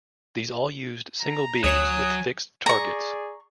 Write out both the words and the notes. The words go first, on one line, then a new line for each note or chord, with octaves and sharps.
These all used single beams with fixed targets.
A#5
D2 F#3 C#5 G#5 D#6 E7
G#4 D5 A#5 C#6